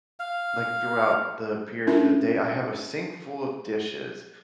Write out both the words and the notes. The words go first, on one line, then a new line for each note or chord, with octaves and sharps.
like, throughout the period of the day, I have a sink full of dishes,
F5
C#4 D4 E4 F4 A#4 E5